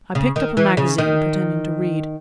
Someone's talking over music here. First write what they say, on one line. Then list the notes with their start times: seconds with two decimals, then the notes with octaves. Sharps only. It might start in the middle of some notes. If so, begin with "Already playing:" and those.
I picked up a magazine, pretending to read.
0.15 C#3
0.36 D#3
0.57 E3
0.77 C#3
0.98 D#3